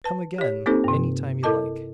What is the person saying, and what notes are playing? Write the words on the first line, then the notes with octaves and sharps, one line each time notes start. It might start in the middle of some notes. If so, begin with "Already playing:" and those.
"Come again any time you like."
B4 A5
G4 C#5
A#3 C4 D#4 G4 A4 C5
G2 C3
E4 A4 A#4 D#5 A5 D6